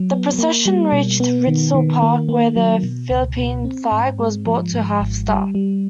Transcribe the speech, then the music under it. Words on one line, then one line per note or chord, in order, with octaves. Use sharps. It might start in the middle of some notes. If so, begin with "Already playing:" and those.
The procession reached Rizal Park, where the Philippine flag was brought to half-staff.
Already playing: F#3
B3
A#3
G3
B2
B3
D#3
D#3
A#3
A#3
F#3
B2
C#2
B2
C4
G#2
G#3
F3
G#2
G#1
G3
G3